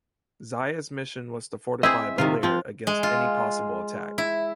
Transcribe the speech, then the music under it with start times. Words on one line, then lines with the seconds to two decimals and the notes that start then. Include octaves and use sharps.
Zayas mission was to fortify Baler against any possible attack.
1.83 C4 E4 G#4 C5 D#5 E5
2.18 C#2 C3 D#3 F4
2.43 F3 C4 F4
2.87 G#3
3.03 F4
4.18 E4